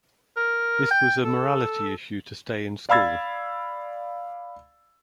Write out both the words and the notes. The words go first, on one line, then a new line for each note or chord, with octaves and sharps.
This was a morality issue to stay in school.
A#4
G5
A4
D5 F5 B5 E6 G#6 A6